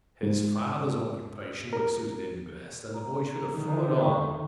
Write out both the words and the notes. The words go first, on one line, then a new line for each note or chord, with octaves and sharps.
His father's occupation would have suited him best, and the boy should have followed on.
G#2
A#4
A#5
D3 D#3
G5 C#6